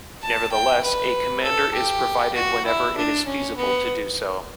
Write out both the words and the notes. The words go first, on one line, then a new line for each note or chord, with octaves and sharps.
Nevertheless, a commander is provided whenever it is feasible to do so.
A5
G5
B4
A4
G4
F#4
E4
D4
C#4
B3